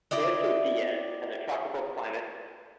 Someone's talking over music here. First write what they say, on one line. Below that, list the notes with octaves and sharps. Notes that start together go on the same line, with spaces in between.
Prieto Diaz has a tropical climate.
E4 G4 D5 D#5